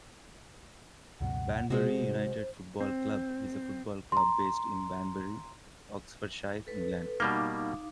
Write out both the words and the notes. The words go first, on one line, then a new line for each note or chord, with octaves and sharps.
Banbury United Football Club is a football club based in Banbury, Oxfordshire, England.
C#2 F#2 B2 F#5
C3 G#3 C4 F#4 C5
C4
A#5 C6
A4 B4
B2 G3 A#3 D#4 F5 D6